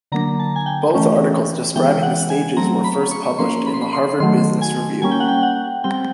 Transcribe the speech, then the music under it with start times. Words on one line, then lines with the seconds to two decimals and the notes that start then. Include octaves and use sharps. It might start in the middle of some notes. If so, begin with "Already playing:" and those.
Both articles describing the stages were first published in the "Harvard Business Review".
0.12 D3 F#3 A#3 D4 A#5
0.39 A5
0.56 G#5
0.66 G5
0.94 E3 A3 C#4
1.76 E3 G#3 B3 G5
2.03 F#5
2.30 G#5
2.57 F#3 A3 C4 A#5
2.84 B5
3.11 C#6
3.38 F3 A#3 C#4 C6
3.66 B5
3.74 C6
3.82 B5
3.93 C6
4.20 D#3 F#3 A3 C6
4.61 G#5
5.02 G3 A#3 C#4 G#5
5.11 G5
5.20 F#5
5.28 G5
5.43 F#5
5.84 G3 C4 G5